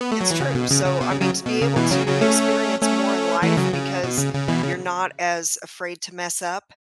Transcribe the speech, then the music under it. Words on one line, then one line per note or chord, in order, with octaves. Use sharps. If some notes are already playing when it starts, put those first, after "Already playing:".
It's true, so, I mean to be able to experience more in life because you're not as afraid to mess up,
B3
A3
F#3
E3
C#3
B2
C#3
C#3
B2
C#3
C#3 F#3
B2
C#3
B2 E3
C#3 F#3
C#3 F#3
A3 C#4
A3 C#4
E3 A3
C#3 F#3
C#3
B2
C#3
C#3
B2 E3
C#3